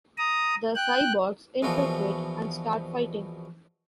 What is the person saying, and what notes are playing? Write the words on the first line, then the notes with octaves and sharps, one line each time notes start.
The cyborgs infiltrate and start fighting.
A#5 D#6
G5 F#6
A#1 B2 E3 F3 F#4